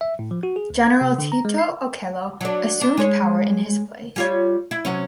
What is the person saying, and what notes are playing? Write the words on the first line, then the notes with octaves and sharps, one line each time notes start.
General Tito Okello assumed power in his place.
E5
A2
F3
F#4
G#4
D2
G#6
C3
D3
A#5
G#3
C7
F#3 D4
D4
G#3 C#5
G3 F4 C#5
E4
C3 F#3 C#4